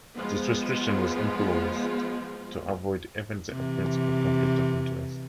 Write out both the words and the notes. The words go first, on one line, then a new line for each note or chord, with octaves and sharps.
This restriction was imposed to avoid even the appearance of a conflict of interest.
F3 G#3 B3 F4
C3 E3